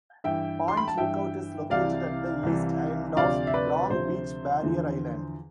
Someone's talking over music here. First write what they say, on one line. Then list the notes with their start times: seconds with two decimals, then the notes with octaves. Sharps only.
Point Lookout is located at the east end of Long Beach Barrier Island.
0.24 G2 E3 E5 G5
0.68 C6
0.77 B5
0.88 A5
0.97 G2 E3 E5 G5
1.70 C2 C3 E3 D5 F5
2.43 C2 C3 E3
3.17 D2 C3 F3 D5 F5
3.47 E5
3.54 B4 D5
3.90 D2 C3 F3 C5
4.63 E2 D3 F3